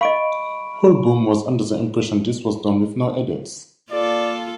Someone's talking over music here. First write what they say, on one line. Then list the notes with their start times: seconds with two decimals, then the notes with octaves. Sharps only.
Hoolboom was under the impression this was done with no edits.
0.01 D#5 F5 B5 C#6 D7
3.91 A#3 F4 A4 D5